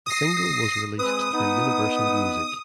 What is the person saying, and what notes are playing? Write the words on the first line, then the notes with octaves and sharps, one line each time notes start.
The single was released through Universal Music.
D#6 A#6 C7
G#3 C4 B4 D#6
B3 D#4